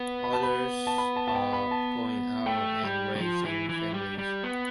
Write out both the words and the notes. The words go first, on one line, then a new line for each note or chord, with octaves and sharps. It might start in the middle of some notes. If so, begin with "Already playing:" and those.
Others are going out and raising families.
Already playing: B3
B5
A5
B5
A5
B5
A5
A5
G5
B5
A5
A3 G5
G3
G3
F3
E3
E3
G3
G3
B3